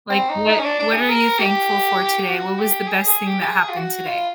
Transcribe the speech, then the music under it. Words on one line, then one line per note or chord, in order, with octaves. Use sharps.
Like, "What what are you thankful for today? What was the best thing that happened today?"
C4
D#4
D#4
C#4
D4
D4
G#4
A#4
G4
F#4
G4
G#4
G#4
G4
G4
G#4
F4
F#4
F4